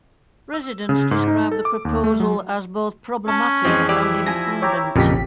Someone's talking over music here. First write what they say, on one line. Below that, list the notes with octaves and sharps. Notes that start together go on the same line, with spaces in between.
Residents describe the proposal as both problematic and imprudent.
E6
C#3
G#2
D#4
A4
D6
D#2
A3
F#3
C#4 A5
F2 E3 G#3 C4 D#5
E4 G4 D5
F3 G#5 A#6
C#5 G5 A#5 D6
A1 F2 A#2 C#3 G4 B6